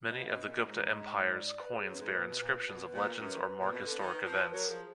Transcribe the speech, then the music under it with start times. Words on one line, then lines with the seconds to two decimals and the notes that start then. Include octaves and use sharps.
Many of the Gupta Empire's coins bear inscriptions of legends or mark historic events.
0.10 B2 D#5
0.23 F5
0.27 B2 D#5
0.44 A#2
0.63 G#2
1.33 D5
1.47 D5
1.60 B4
1.73 G#4
1.87 F#2 B4
1.99 G#2
2.13 A#2
2.27 B2
2.39 A#2 B4
2.66 B2
2.93 A#2
3.20 F#2
3.59 A#2
3.72 B2
3.85 D3
3.99 D#3
4.25 F3
4.42 B4
4.51 F#3 A#4
4.69 F3 G#4